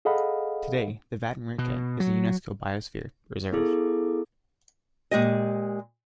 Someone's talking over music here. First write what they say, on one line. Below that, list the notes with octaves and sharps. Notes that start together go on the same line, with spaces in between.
Today the Vattenriket is a Unesco biosphere reserve.
G#4 A4 D#5 F5 F#5 B5
B2
F#3
B3 E4 G#4 A4 D6
A#2 G#3 G4 D#5